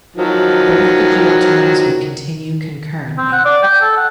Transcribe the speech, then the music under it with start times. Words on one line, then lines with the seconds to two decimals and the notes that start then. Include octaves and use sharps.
Both the jail terms would continue concurrently.
0.16 D#3 F3 F#3
3.18 C4
3.32 F#5
3.45 D5
3.63 G5
3.81 A4
3.97 F#5